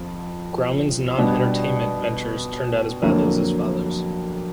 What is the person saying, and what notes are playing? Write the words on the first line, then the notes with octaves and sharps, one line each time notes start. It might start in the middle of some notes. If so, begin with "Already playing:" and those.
Grauman's non-entertainment ventures turned out as badly as his father's.
Already playing: F2 F3
B2 G3 B3 D4
F2 D3 F#3 A#3